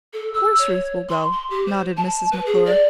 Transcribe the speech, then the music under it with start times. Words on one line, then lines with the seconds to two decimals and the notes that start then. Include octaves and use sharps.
"Of course Ruth will go," nodded Mrs. McClure.
0.13 A4
0.34 E6
0.58 C#5
1.09 C6
1.32 C6
1.50 G4
1.67 C5
1.96 A5
2.32 B4
2.46 G#4
2.66 D5